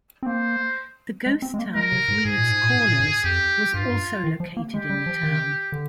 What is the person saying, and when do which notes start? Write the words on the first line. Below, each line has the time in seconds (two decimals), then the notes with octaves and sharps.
The ghost town of Reeds Corners was also located in the town.
0.23 C4
0.26 A#3 C5
1.26 G#3
1.42 C4
1.54 G#3
1.59 A#3
1.75 G#3 A#4
1.92 C3
2.08 G#2
2.25 G#2 G#4
2.37 A#2
2.50 G#2
2.63 A#2
2.75 G#2
2.87 A#2
3.00 G#2
3.24 F2 G4
3.74 G2 F4
3.83 G#2
3.90 G2
4.24 D#3
4.40 F3
4.57 A#3
4.73 G#3 G4
4.90 G3
5.06 F3
5.23 D#3
5.72 D3